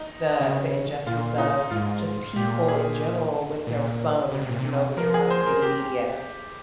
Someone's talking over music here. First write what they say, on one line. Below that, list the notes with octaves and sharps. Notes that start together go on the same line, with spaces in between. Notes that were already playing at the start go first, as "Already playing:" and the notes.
the the injustice of just people in general with their phones, you know, when it comes to the media.
Already playing: D#4
C#3
A#2 F4
D#4
G#2 F4
A#2 G4
G#4
A#2
C#3
C3
A#2
C3
F3 A#4
G#4
C5
A#4
G4